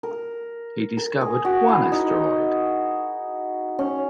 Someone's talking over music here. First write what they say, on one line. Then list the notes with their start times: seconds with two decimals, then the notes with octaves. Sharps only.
He discovered one asteroid.
0.03 A#4
0.97 A#4
1.21 G#4
1.45 F#4
1.68 E4
1.92 D#4
3.79 C#4